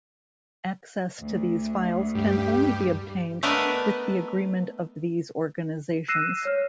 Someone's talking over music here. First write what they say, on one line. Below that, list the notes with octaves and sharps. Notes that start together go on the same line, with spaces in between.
Access to these files can only be obtained with the agreement of these organisations.
D2
G2 G4
A3 B3 D4 A#4 D#5
E6 F#6 A#6 C7 D#7 E7
C#5 F6